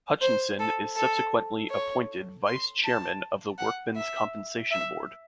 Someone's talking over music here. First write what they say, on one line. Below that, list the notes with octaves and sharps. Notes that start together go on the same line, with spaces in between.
Hutchinson is subsequently appointed vice-chairman of the Workmen's Compensation Board.
C5
A4
A4
C#5
C6
A5
F#5
E5
E5